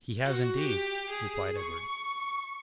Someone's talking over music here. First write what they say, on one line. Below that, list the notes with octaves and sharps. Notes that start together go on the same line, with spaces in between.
"He has, indeed," replied Edward.
F#4
G4
G#4
C#6